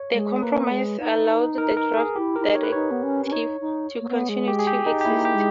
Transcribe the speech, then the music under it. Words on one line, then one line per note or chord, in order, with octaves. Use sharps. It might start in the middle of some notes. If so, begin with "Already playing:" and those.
The compromise allowed the draft Directive to continue to exist.
Already playing: C#5
G#3
A#3 B4
G#3
D#4
A#4
A#4
G#4
E4 G4
E4 A#4
D#4
C#5
B4
D#4 C#5
B3
C#4
C#4
D#4 C#5
D#4
A#3
B3
G#3
G4
G#4
G4
D#4
G4
A#3 E4
G4
G#3